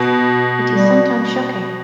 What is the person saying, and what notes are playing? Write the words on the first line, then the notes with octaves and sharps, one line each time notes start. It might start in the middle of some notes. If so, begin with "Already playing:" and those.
It is sometimes shocking.
Already playing: B2
G3